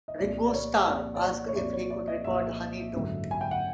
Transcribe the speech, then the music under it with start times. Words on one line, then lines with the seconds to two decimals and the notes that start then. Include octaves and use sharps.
Ringo Starr asked if he could record "Honey Don't".
0.08 D#5
0.19 C2 A#2 F3 D5
0.48 D5
0.54 C#5
0.88 C2 A#2 F3 D5
1.16 D5
1.22 C#5
1.48 C#5
1.56 C2 A#2 F3 D5
1.73 C#5
1.91 D5
2.07 D#5
2.24 C2 A#2 F3 E5
2.93 G#1 F#2 D3 F#3
3.31 G#5
3.41 G5
3.51 F#5